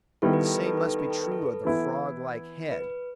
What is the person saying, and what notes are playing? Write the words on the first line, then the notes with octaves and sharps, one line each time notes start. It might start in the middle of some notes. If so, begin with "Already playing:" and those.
The same must be true of the froglike head.
D#3 G3 B3 E4 A4
B4
A4
B4
A4
B4
A4
B4
A4
B4
A4
B4
A4
E3 B3 E4
B4